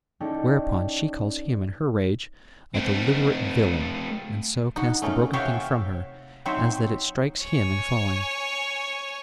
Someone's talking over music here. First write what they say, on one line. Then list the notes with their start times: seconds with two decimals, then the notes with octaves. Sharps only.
Whereupon she calls him in her rage, 'A deliberate villain,' and so casts the broken thing from her as that it strikes him in falling.
0.20 C#4 D#4 E4 A4 D5 G5
2.74 A3 C4
4.76 D#4 F#4
5.02 A3 C#4 D#4 A#4
5.33 C3 F#4 C#5 E5 F5 G5
6.45 F#3 C4 D#4 C5 C#5 E5
7.43 C#5 G#5